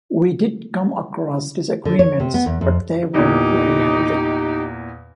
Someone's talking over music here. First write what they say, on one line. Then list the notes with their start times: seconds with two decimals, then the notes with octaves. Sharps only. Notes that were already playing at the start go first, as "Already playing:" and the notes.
We did come across disagreements, but they were very healthy.
1.85 D3
1.99 C#5
2.20 C3
2.34 B3
2.46 E2
2.61 F2
3.14 E2 A#2 D#4 G4